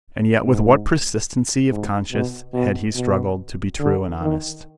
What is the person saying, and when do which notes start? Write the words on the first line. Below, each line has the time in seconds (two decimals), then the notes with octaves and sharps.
And yet with what persistency of conscience had he struggled to be true and honest!
0.44 G#2
1.70 G#2
2.12 B2
2.54 B2
2.95 B2
3.80 D3
4.22 D#3